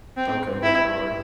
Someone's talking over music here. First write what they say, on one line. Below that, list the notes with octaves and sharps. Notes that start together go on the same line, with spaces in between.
Okay, just roar.
C4
E4